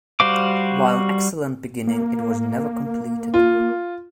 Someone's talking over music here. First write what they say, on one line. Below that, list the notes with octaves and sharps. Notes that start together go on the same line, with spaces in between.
While an excellent beginning, it was never completed.
G3 F#4 C5 F5 D6
A#3
F4